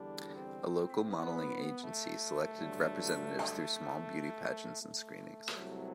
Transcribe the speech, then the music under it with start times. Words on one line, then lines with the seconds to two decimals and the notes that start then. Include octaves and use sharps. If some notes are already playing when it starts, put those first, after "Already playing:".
A local modelling agency selected representatives through small beauty pageants and screenings.
Already playing: E2 D3 G3 D4
0.34 C4
1.09 B3
1.84 A3
2.58 G2 D3 F#3
4.83 A3
5.57 C2 C3 F#3